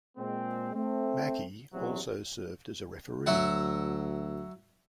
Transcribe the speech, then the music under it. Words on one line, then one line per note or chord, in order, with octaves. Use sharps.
Mackey also served as a referee.
A#2 G#3 C4
A3 C4
A1 E2 C3 F#3
D2 F#3 E5 F#5